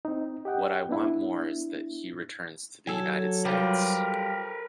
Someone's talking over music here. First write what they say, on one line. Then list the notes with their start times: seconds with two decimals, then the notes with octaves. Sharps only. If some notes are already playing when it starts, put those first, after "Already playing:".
What I want more is that he returns to the United States.
0.05 C4 D#4
0.45 G4 D#5 F#5 G5
0.89 B3 D4 E4
2.87 F#3 A4 G#5
3.45 G3 F4 A#4 B4